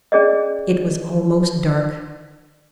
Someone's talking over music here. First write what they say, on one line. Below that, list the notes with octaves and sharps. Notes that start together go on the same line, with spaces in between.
It was almost dark.
C#4 G#4 D5 D#5